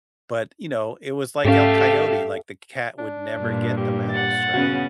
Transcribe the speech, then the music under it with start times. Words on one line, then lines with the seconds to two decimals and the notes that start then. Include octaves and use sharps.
but, you know, it was, like, El Coyote, like, the c cat would never get the mouse, right?
1.45 G#2 A3 C#4 G4 E5 F5
2.99 D4
3.36 G2 A#2
3.78 G4
4.10 F#5 A6
4.54 C#3 B3 C#4 F#4